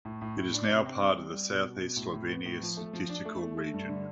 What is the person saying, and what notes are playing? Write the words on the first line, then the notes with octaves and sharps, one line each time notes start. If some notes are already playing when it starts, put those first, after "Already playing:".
It is now part of the Southeast Slovenia Statistical Region.
A2
A2
A2
D4
C3
C4
G3
G3
G3
B2
B2
B2
A2
A2
B3
A2
F3
A3
F3
D4
A3
A3
A3
G2
D3